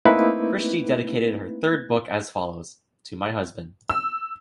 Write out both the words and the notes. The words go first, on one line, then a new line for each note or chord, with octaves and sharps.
Christie dedicated her third book as follows:To My Husband.
A3 A#3 C4 D#4 E4 B4
E6